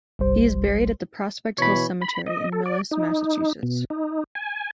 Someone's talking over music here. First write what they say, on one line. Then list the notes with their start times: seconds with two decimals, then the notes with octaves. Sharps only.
He is buried at the Prospect Hill Cemetery in Millis, Massachusetts.
0.19 G1 C2 G3 C5
1.58 B2 E3 C#5 B5
2.02 B5
2.26 D#5
2.52 A4
2.66 D5
2.91 D#4
3.63 B2
3.90 D#4
4.35 G#5